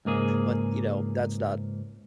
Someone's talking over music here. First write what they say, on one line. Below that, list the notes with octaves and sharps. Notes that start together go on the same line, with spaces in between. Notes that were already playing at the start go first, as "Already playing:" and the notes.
but, you know, that's not
C#2 G#2 A#3 G#4